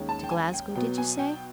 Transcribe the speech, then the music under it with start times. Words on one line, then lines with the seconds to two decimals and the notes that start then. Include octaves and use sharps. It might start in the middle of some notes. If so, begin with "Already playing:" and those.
To Glasgow, did you say?
Already playing: D#2 D#3 G#3 C#4
0.09 A5
0.24 G5
0.31 G#5
0.54 G5
0.75 B1 B2 F#3 B3 G5
0.98 G#5
1.19 G5